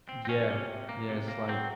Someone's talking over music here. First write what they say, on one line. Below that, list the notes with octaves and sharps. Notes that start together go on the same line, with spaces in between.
Yeah, yeah, it's like
C4
C4
F3 C#4
C3
C3
A#3
C3
A#3
F#3 C4